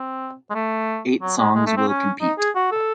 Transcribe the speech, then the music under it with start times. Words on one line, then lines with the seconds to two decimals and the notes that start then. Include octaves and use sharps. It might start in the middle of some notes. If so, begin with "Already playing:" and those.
Eight songs will compete.
Already playing: C4
0.50 G#3
0.55 A3
1.22 F#3
1.38 G#3
1.55 G#3
1.67 A3
1.77 C4
1.88 C#4
2.21 D#4
2.38 G#4
2.55 F#4
2.72 A4